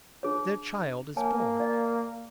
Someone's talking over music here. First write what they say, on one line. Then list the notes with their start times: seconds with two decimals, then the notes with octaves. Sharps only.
Their child is born.
0.23 D4 G#4 C#5
1.17 A#3 C#5 G#5 A5
1.60 D5 D#5 F5